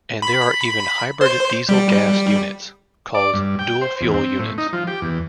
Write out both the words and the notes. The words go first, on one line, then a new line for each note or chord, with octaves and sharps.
And there are even hybrid diesel-gas units, called dual-fuel units.
B5
C5
G3
D5
G2
G5
C5
E2
C4
A2
D#4
F3
G4
E2